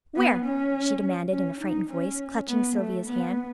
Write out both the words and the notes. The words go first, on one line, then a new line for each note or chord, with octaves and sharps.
"Where?" she demanded, in a frightened voice, clutching Sylvia's hand.
B3
C#4
C#4
D#4
C#4
B3
A3
B3